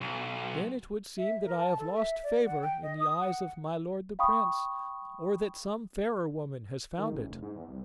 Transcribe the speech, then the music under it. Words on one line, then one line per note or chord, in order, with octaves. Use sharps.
"Then it would seem that I have lost favour in the eyes of my lord the prince, or that some fairer woman has found it."
B1
E5
A#4
A5
A4
E5
D5
F#5
G5
D#5
D#6
F#5
F5 G5 B5 C#6 D#6
D#3
A1
F1
G#2
E2
C2